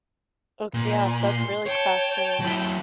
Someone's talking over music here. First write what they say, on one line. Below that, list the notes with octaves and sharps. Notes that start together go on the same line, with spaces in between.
Ok yeah, so that's a really fast turnaround.
A#2
C6
C#5 G5 A5
F#3 E4